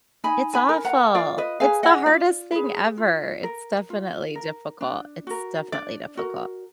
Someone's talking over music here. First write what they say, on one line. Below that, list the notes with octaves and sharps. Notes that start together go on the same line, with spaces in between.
It's awful, it's the hardest thing ever, it's definitely difficult. It's definitely difficult.
D#4 G#5 B5
G#5 B5
A#4
F#5 A#5
F4 D5 F5
B4 D#5
G#4 B4 F5 G#5
D#5 F#5
F4 D5 F5
G#4 B4
F4
A#4
F4
A#4
D4
F#4 A#4
D4 D5
F#4 A#4